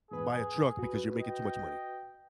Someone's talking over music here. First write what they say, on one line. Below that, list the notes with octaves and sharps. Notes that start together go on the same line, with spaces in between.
buy a truck because you're making too much money."
E2 G#2 G#4 B4
F#4 B4
D#5 G5